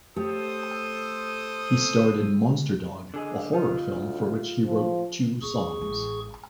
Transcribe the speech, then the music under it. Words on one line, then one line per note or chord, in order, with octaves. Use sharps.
He starred in "Monster Dog", a horror film for which he wrote two songs.
A3 G4 A4 C5 C#5 D#6
D3 G#4 D#5
D#4 F4
D2
F3
F#2 G#4 C#6
A1 G#3